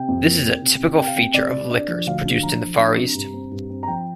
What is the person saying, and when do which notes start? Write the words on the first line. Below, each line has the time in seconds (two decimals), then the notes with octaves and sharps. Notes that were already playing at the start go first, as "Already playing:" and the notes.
This is a typical feature of liquors produced in the Far East.
Already playing: C3 G5
0.08 F2
0.26 A#3
0.44 C3
0.62 C3
0.79 C3
0.98 C3 G5
1.07 F5
1.16 C3 G5
1.34 C3 D5
1.52 C3
1.70 D4 D5
1.88 F3
2.06 D2 F5
2.25 D4
2.43 F3 A#5
2.61 F3
2.79 D4
2.97 C3
3.15 G2
3.34 C4
3.51 G2
3.70 C4
3.83 A#5
3.87 F3 G5